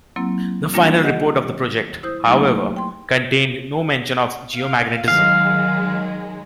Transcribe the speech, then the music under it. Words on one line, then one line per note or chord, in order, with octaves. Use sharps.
The final report of the project, however, contained no mention of geomagnetism.
F#3 A#3 C4 E4
G3 A#3 D4 F4
D#3 G4 D#5 F#5
E4 C5 D#6 G6
F#3 A3 A#3 D#4 G4
G5 C6
F5
D#3 F#3 G#3 F5